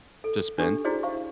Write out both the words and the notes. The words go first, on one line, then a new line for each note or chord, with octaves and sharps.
to spend.
A4
D4 G4 A4 C#6
E4 F#4 G#4 C5 D5
C5 F5 C#6